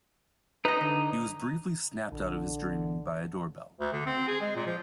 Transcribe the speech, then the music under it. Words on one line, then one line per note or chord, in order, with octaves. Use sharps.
He was briefly snapped out of his dreaming by a door bell.
D#4 B4 D#5
D3
A#1 D3
D2
D3
C4
G#4
G#3
A#2
F3